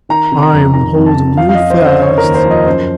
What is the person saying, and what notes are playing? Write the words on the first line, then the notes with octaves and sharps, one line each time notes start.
"I am holding you fast!"
D#3 A#5
C3
A#5
F2
D#3 A#5
F2
A5
F2
F3 F5
F5
F3 D#5
C5
C#3 C5
C#3 C#5
A#4
D#2
C5
F3
D#5
F#2 C5